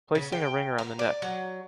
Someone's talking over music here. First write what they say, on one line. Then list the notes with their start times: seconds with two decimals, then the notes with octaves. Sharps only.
Placing a ring around the neck.
0.15 C#3
0.32 G5
0.78 A#5
0.99 D5
1.22 F#3